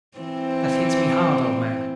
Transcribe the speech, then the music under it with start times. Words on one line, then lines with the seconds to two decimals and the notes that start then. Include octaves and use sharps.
That hits me hard, old man.
0.18 E3 C4